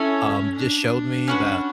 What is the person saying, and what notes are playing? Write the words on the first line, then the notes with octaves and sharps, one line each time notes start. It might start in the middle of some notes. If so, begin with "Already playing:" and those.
Um, just showed me that,
Already playing: C#4 E4 A4 C#5 G#5
D4
C#4 F#4 B4